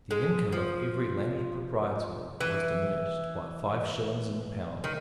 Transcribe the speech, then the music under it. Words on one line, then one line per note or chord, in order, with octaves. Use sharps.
The income of every landed proprietor was diminished by five shillings in the pound.
G#3
F3
E3
D#3